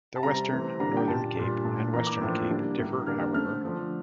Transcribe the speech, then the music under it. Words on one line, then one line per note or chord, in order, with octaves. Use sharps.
The western Northern Cape and Western Cape differ however.
A5
C3 G3 C4 A#5
C3 E3 A3 C4
D3 G3 A#3 D4 A#5
G5
A#2 G3 D4 A5
A#2 G3 D4
A#2 A3 D4
E3 A#3 D4 A#5
D6
A2 F3 A#3 D4
D3 G3 A#3 D4
A2 G3 A#3 D4
D3 G3 A#3 D4 F6
D3 A3 C4 F6
D3 F3 A3 D4